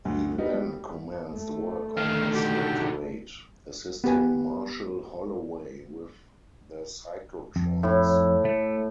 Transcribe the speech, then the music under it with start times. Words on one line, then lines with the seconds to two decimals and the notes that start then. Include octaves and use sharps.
He then commenced work on his doctorate, assisting Marshall Holloway with the cyclotrons.
0.05 D2 G2
0.38 G3 B3 D#4
0.54 G3
1.32 A3
1.97 D3 D#3 F5
2.35 F#4 G4
4.04 B3 G4 B4 G#5
7.56 F2
7.83 A2 E4
8.45 A3